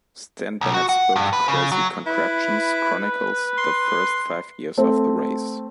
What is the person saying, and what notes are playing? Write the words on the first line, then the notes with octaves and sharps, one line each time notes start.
Stan Bennett's book "Crazy Contraptions" chronicles the first five years of the race.
B1
F#4
F#5
G2
B4
C#3
F#3
E4 B4
C6
A3 C4